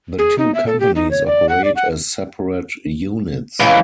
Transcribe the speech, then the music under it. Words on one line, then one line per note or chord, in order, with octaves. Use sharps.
The two companies operate as separate units.
G#4
D#4
E5
A4
G4
D#4
C#5
D5
F#5
D5
F#5
C#2 E3 E4 E5 F5